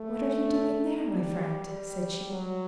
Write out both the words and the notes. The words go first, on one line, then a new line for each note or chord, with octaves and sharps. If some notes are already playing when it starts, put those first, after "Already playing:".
"What are you doing there, my friend?" said she.
Already playing: A3
G3
G3
F#3